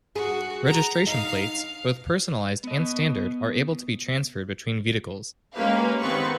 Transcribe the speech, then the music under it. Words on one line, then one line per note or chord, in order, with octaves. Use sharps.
Registration plates, both personalised and standard, are able to be transferred between vehicles.
F#4 G#4
A#5
D#4 F5
B3 D#5
G#3 A#3 C#4 G4 B4 F5
D#3 B3 C4 B4 C#6